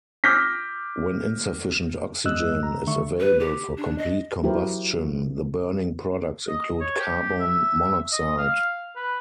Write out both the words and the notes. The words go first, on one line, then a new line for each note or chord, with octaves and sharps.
When insufficient oxygen is available for complete combustion, the burning products include carbon monoxide.
D6 E6 F6 G6 A#6 B6
F#2 G#3 D#5 E6 F#6
A#5
D3 D#3 A3 E5 C#6
B4
G4
D4
D#5
F#3 E4 F#4 G4 A#4 C5
D#5
C#5
G4
E5
D#5
F5
B4